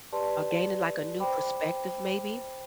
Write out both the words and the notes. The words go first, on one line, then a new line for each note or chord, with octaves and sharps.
or gaining, like, a new perspective maybe?
G4 B4 D5 A5 C6
C5 G5 B5 D6